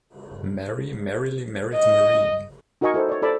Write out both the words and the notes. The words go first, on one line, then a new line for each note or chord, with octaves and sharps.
Mary merrily married Marie.
D#5
D#4 F#4 A#4 D#5 G#5 C#6
E4 A4 C5
C#5 D5
E4 A4 C5 D5 B5 E6